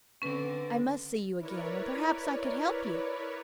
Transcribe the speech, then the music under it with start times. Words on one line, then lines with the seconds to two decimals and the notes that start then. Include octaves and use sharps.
I must see you again; and perhaps I could help you.
0.22 D3 C4 C#4 B4
1.38 E4 A#4 B4 C#5 D5